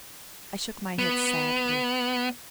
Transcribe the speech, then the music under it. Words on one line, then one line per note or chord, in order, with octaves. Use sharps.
I shook my head sadly.
B3